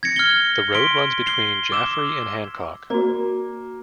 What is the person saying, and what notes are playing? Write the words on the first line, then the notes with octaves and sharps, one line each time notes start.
The road runs between Jaffrey and Hancock.
G#6 A#6 C#7
F6 G7
C6 B6 D7 G7
C7 G7
D6 E6 E7
A#3 F#4 D5